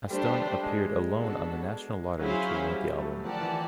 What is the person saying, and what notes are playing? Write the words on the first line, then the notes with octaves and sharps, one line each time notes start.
Aston appeared alone on the National Lottery to promote the album.
G3 A3 D4 G4 C5
G#3
B3 D4 F#4 A4
F#3 C#4 E4 G#4 C5 F5
G3
A3
F3 G4 A#4 D5 F#5 A5
E3